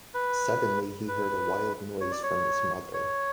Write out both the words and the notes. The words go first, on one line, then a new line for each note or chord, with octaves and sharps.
Suddenly he heard a wild noise from his mother.
B4
B4
C#5
D5
C#5
C#5